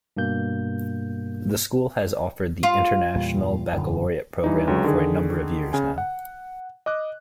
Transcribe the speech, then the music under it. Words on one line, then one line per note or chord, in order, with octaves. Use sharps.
The school has offered the International Baccalaureate program for a number of years now.
G2 B2 A#3 G6
F4
E2 A#2 G3
D#1 F#2 D3
G2 E3 D#4
C#2 D3 F#3
D3 D#3 G#4
C#3 G#5
F#5
D#5 D6 F#6